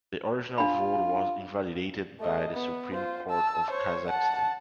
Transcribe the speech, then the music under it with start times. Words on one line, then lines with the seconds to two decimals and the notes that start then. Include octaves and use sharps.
The original vote was invalidated by the Supreme Court of Kazakhstan.
0.58 D4 F4 B5
2.20 A3 D#5
2.53 B3
2.93 F4 C5
3.29 A5 E6
3.70 C5 C#5
4.10 F#5 A5